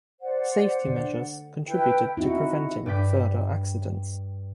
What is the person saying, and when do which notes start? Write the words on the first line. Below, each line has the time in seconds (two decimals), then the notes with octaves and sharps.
Safety measures contributed to preventing further accidents.
0.21 C5 D5 F#5
0.88 D3
1.67 E4 B4 G5
2.17 C4 D#4 E4 F#4 D#5
2.86 G2 D5 G5 B6